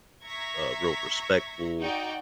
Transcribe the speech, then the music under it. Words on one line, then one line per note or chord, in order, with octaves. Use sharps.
uh, real respectful,
E5 A#5 C#6 G#6 A#6 B6
D#4 F#4 D5 G5